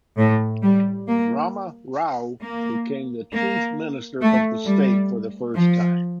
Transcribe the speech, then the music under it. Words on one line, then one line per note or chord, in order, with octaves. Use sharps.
Rama Rao became the chief minister of the state for the first time.
A2
G3
A#3
A#3
A#3
A3
G3
F3